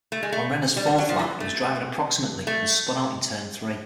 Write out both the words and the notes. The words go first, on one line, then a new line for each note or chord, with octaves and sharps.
On Renna's fourth lap he was driving approximately and spun out in turn three.
A3
G#3
A3
G3
G3
F#3
F3
E3
A3
A3